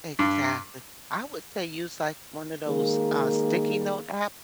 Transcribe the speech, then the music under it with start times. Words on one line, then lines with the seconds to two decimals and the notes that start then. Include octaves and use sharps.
Exactly. I would say use, like, one of those, uh, sticky note apps
0.19 G2
2.67 D#3 G#3 A#3